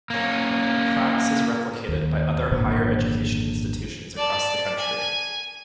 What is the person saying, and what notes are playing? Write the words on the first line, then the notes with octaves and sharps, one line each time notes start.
Praxe is replicated by other higher education institutions across the country.
A#3 C#4
D#2
G#1 F2 A#2 D3
D5 A5
G#5